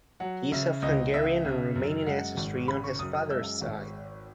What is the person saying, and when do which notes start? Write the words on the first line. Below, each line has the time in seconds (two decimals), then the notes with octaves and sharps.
He is of Hungarian and Romanian ancestry on his father's side.
0.20 F#3 F#5
0.52 C#3 E5
0.82 C#2 D#5
1.14 C#2 E5
1.45 C#3
1.75 F#2
2.06 G#3 F#5
2.37 G#1
2.68 C#3 B5
2.84 C#6
2.99 F#2 D#6
3.15 D#6
3.30 G#3 E6
3.61 G#1